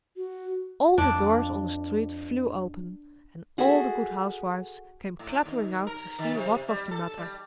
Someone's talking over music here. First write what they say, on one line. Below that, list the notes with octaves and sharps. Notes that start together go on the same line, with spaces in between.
All the doors on the street flew open, and all the good housewives came clattering out to see what was the matter.
F#4
F2 D4
F#4 G#4 A4 E5
A2
D#2
A#4
D#3
C3
G3
A4
G3